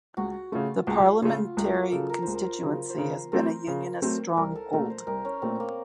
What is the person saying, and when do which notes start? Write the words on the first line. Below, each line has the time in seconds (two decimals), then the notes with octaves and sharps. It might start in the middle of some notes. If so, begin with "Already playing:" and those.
The parliamentary constituency has been a Unionist stronghold.
0.17 C#2 F#4
0.52 C#3 A3 F4
0.87 C#2 F#4
1.22 C#3 A3 F4
1.57 C#2 A3
1.74 A#3
1.92 C#3 F#3 A4
2.09 A#4
2.22 C5
2.27 C#2
2.34 A#4
2.62 C#3 F#3
2.90 C5
2.97 C#3 A#4
3.32 F#3 A3 C4 A#4
3.67 C#3
4.02 F#3 A3 C4
4.37 C2 A#4
4.56 A4
4.72 A#2 A3 A#4
4.90 C5
5.07 C2 A#4
5.25 C#4
5.42 A#2 A3 C4
5.60 A#3